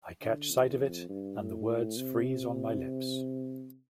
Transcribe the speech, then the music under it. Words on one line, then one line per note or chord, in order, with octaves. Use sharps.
I catch sight of it, and the words freeze on my lips.
D3
E2
F2
G2
A2
C3